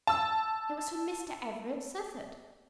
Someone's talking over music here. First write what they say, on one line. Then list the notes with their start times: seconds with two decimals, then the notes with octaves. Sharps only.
"It was from Mr. Everett Southard."
0.07 A5 E6